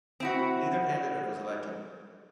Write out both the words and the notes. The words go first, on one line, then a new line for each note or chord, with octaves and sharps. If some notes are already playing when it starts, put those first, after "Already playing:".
Neither candidate was elected.
C4 E4 F#4